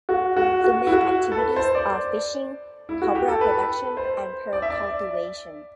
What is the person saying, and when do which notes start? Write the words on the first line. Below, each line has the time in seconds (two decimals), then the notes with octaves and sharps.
The main activities are fishing, copra production and pearl cultivation.
0.09 F#4
0.37 F#4
0.64 F#4
0.87 E4
0.92 F#4
1.32 A4
1.37 B4
1.56 C5
1.75 D5
2.89 E4
3.02 F#4
3.15 G4
3.28 A4
3.41 B4
3.97 C5
4.53 D5
4.62 E5
4.70 D5